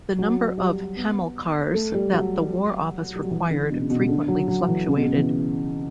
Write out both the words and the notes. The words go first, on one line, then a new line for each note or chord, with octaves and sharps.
The number of Hamilcars that the War Office required frequently fluctuated.
F#3
G3
B3
A3
G3
F#3
G3
F#3
E3
D3
B2
C#3
B2
C#3
D3
F#3
F#3
E3
C#3
B2
C#3
E3